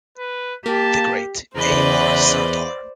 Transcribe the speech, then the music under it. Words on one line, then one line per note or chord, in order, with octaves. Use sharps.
The great A. R. Sardar.
B4
A#3 G4 A5
E2 C#3 B4 C5 D5 D#5 B5